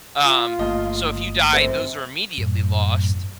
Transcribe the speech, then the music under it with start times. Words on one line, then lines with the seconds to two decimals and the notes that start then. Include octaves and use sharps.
Um, so, if you die, those are immediately lost.
0.24 F4
0.59 G1 A3 A#3 D#5
1.53 F#2 C4
2.38 F#2 A2